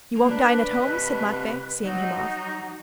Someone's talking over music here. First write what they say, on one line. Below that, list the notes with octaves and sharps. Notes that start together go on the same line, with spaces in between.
"You won't dine at home?" said Matvey, seeing him off.
A#3
D4 B4
C3 D#5
F#3 D#4